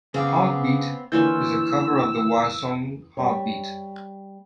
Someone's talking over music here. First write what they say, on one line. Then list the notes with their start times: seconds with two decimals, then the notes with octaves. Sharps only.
"Heartbeat" is a cover of the Wire song "Heartbeat".
0.14 C#3 B3 C4 G#4 F5 D6
1.12 D3 E3 A#3 F4 C#5 E6 G6
3.17 G3 C#5